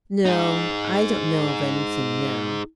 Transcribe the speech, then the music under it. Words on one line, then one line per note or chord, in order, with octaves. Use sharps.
"No, I don't know of anything now."
D#4 G#4